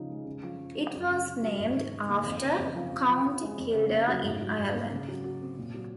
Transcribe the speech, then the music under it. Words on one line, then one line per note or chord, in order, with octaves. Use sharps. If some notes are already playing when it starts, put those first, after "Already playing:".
It was named after County Kildare in Ireland.
Already playing: C#3 F3 D#4
G#3
C#3
F3
C#3
G#3
F#2
C#3
C#4
F#3
G#2
D#3
D#4
A#3
F2
C#3
F2
F3
C3
F3
C4
G#3
F2
C#3
A#3
F#3
G#2
F#3
G#2
A#3
C#3
F#3
F#4
C4
A#2
F#3